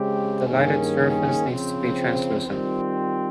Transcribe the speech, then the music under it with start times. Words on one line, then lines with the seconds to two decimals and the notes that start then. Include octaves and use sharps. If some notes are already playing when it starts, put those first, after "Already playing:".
The lighted surface needs to be translucent.
Already playing: C#3 G#3 C4 G4
0.47 G2 D#3 A#3 C#4 G#4
1.47 C#3 F3 C4
2.47 D#3 G3 C4 F4